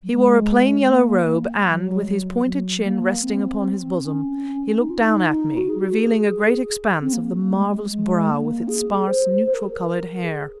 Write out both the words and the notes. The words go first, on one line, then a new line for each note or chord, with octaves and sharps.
He wore a plain yellow robe, and, with his pointed chin resting upon his bosom, he looked down at me, revealing a great expanse of the marvelous brow with its sparse, neutral-colored hair.
F#3
G#3
A#3
F#3
G#3
F#3
F#3
A#3
C4
C#4
D#4
F4
D#4
F#4
G#4
F#4
G#4
C4
A#3
G#3
G#3
A#3
G#4
C5
C5
A#4
G#4
A#4
G#4